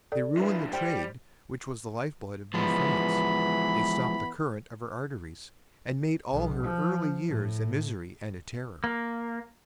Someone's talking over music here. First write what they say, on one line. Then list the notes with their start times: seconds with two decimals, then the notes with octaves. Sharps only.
They ruined the trade which was the life-blood of New France; they stopped the current of her arteries, and made all her early years a misery and a terror.
0.12 A4 D5
0.37 D3 F3 E4 B4
0.73 G3 C5 G5
2.54 E3 F3 G#3 B3 B5
6.32 B1
6.62 F3
7.27 A2
8.84 A#3